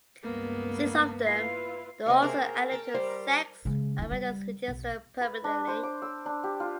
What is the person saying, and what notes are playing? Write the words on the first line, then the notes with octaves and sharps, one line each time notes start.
Six of them were also added to the sex offenders register permanently.
C#2 G2 A#3 B3
E4 F4 B4 C7
C3 A#3 C4 D#5
G#4 A#4 C5 C#5
G5 A5
G3 G4 C5
C#3 G#3
D3 E3
G3
B1
B4
D4
C5
D6
E6
D4
G4
F4